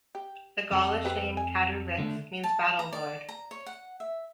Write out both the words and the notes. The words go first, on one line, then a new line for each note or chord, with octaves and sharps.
The Gaulish name "catu-rix" means "battle-lord".
G4
F2 A4
C4 G4 B4
G#5
D3 A3 D4
A5
A#5
D5
A#5
C#5
F#5
E5